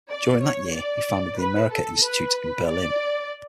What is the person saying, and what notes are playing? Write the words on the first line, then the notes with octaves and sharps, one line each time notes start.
During that year he founded the Amerika-Institut in Berlin.
D5
C#5
D5
B4
A4
B4
D5